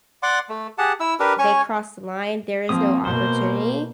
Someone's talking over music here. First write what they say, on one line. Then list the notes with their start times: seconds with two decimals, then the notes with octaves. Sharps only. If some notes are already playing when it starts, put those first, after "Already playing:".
they crossed the line, there is no opportunity,
0.23 D5 F#5 C6 D6
0.49 A3
0.78 G4 G#4 F#5 A5
1.00 E4 E6
1.20 D4 G4 A#4 B4
1.39 C#4 C#5 G#5 C#6
2.69 F3 A#3 C4 D#6
3.05 B2 A#3 C5